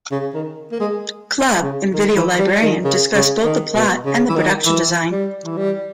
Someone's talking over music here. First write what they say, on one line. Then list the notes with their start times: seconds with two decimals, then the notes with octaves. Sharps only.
Club, and "Video Librarian" discussed both the plot and the production design.
0.12 C#3
0.34 D#3
0.72 A#3
0.80 G#3
1.63 C#3
1.93 D#3
2.16 E3
2.39 G3
2.62 D#3
2.84 C#3
3.15 C#3
3.45 D#3
3.75 B2
4.06 C#3
4.29 E3
4.36 D#3
4.66 E3
5.12 G3
5.45 E3
5.57 G3